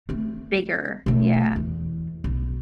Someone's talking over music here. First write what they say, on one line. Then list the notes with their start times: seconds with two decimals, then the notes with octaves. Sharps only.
bigger, yeah.
0.09 A3 C4
1.06 B2 A3
1.56 E2
2.24 B1